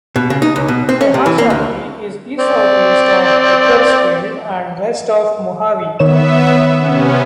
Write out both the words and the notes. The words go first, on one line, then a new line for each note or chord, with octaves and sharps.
Tehachapi is east-southeast of Bakersfield, and west of Mojave.
B2
C#3
D#4
C#2
B2
C4
C#4
C3
E3
A#3
D2
C4 D5
D#3 B3 C#5 E5 E7
C3 B3 C#4